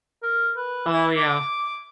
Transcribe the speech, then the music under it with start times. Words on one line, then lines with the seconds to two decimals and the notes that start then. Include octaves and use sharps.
Oh, yeah.
0.23 A#4
0.56 B4
0.93 E4
1.17 D6